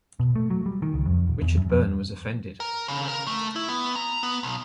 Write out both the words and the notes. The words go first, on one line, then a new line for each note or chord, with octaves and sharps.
Richard Byrne was offended.
B2
A3
F#3
G3
D#3
C#2
F2
D#1
E2
F#2
F2
A#4
C#3
A#4
A3
E4
B3
A#5
B3
B1